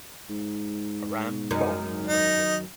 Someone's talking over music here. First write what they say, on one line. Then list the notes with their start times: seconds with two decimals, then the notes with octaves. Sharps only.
A ram bow was fitted.
0.30 G#2
1.51 F#2 D#3
2.07 D#4